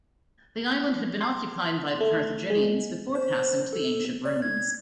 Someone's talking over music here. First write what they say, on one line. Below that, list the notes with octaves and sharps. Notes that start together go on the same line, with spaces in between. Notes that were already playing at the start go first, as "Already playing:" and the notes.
The island had been occupied by the Carthaginians before passing to the ancient Romans.
C6
A3
G#3
C5
A4
D5
G#6